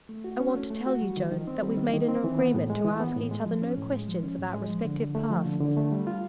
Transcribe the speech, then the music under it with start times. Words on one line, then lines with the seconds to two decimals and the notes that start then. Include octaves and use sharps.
I want to tell you, Joan, that we've made an agreement to ask each other no questions about respective Pasts.
0.09 A3
0.24 F#4
0.40 C#4
0.55 A3
0.70 A3
0.86 F#4
1.01 G3
1.17 D#3
1.32 D#3
1.47 C4
1.62 G3
1.77 D#3
1.93 D#3
2.08 C4
2.24 E3
2.39 B3
2.54 A2
2.70 G#3
2.85 E3
3.00 B3
3.16 A2
3.31 G#3
3.46 F3
3.62 C#4
3.77 A2
3.92 G#3
4.08 F3
4.23 C#4
4.38 A2
4.53 G#3
4.69 F3
4.84 D3
5.00 D3
5.15 A3
5.30 F3
5.46 D3
5.60 D3
5.77 A3
5.92 G3
6.07 F4